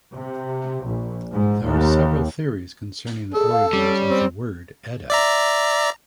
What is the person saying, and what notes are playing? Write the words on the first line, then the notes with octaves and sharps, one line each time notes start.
There are several theories concerning the origins of the word "edda".
C3
A#1
G#2
D#2
G#4 A4
F5
G3 C#4
C4
D5 E5 A#5